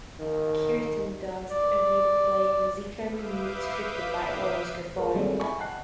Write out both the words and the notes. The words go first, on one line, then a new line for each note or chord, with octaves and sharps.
Kirsten Dunst agreed to play Ruzicka in the movie scripted by Lorene Scafaria.
D#3
D5
B4 E5 F5 D6 D#6 G6
G#3 A#4 B4
D#3 G3 G#3 C4 A4
E5 G#5 B5 C#6
D#5 F#5 G5 A5 F#6 C7